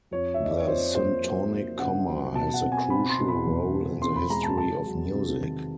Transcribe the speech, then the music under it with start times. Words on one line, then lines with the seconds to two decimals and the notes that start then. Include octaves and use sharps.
The syntonic comma has a crucial role in the history of music.
0.11 F2 C#5
0.34 E5
0.40 F2 D#5
0.50 D5
0.60 C#5
0.68 F2 C5
0.95 A#3 C5
1.23 F#3
1.51 A#3
1.79 C#3 F#5
2.07 F#3
2.34 B2 A5
2.54 F#5
2.62 C4
2.72 G#5
2.90 C4 B5
3.09 C6
3.18 B2
3.28 B5
3.47 E2
3.74 C4
4.02 C4 C6
4.16 B5
4.30 G#3 A#5
4.43 A5
4.58 C3 A5
4.86 F#3
5.13 C3
5.41 D#3